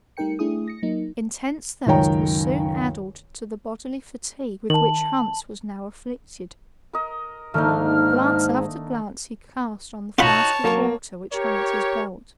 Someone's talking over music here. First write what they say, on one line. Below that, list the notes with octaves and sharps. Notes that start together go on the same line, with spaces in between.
Intense thirst was soon added to the bodily fatigue with which Hans was now afflicted; glance after glance he cast on the flask of water which hung at his belt.
G3 A3 D#4 A#4 G5 C#7
A3 D4 E4 G#4 D#6
A#6 C#7
F#3 A#3 D#4
C#2 F#2 D#3 C#5 G5 A#5
D#3 A5 F#7
A#4 D#5
G#2 D#3 A3 A#3 D4 D#4 F6
D#4 F4 F#4 C#5 F#5 A5 B5
F#3 A#3
G4 A#4 C#5